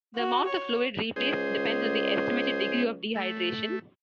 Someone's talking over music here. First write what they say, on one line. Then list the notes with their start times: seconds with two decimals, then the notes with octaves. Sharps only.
The amount of fluid replaced depends on the estimated degree of dehydration.
0.16 F#4
0.47 C#5
1.16 C#2 G#4 C5
3.15 A3